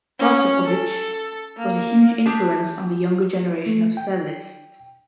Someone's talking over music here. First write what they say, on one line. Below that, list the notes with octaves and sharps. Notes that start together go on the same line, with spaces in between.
Rostropovich was a huge influence on the younger generation of cellists.
C#4
A4
A#3
D4 G4 G#4
A3
G5